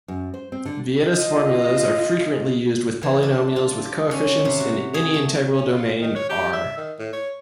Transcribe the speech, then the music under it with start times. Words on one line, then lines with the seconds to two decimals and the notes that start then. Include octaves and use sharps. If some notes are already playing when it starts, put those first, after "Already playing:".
Vieta's formulas are frequently used with polynomials with coefficients in any integral domain "R".
0.08 F#2
0.34 C5
0.52 C4
0.65 D3
1.06 F4 D#5
3.03 E3
3.23 D4
3.56 F4
3.85 G4
4.11 C#4
4.45 C3
4.60 F#4
4.94 G#4
5.14 A3
5.52 C#4
5.72 F4
6.01 D#3
6.16 C#5
6.30 G4
6.53 E5
6.77 D#3
6.99 A2
7.13 C#5